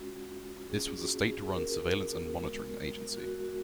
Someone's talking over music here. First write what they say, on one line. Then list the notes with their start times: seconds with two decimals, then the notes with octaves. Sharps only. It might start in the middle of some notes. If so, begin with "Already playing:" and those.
This was a state-run surveillance and monitoring agency.
Already playing: G#3 C#4 F4 F#4
0.69 A#3 C#4 F4 G#4
0.96 F#4
1.24 G#4
1.51 A#4
2.34 G#3 B3 F#4
3.17 F#4
3.44 F#4